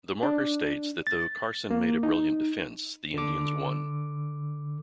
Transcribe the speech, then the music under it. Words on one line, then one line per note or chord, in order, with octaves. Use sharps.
The marker states that though Carson made a brilliant defense, the Indians won.
D4
A6
A#3
D#4
D3 D6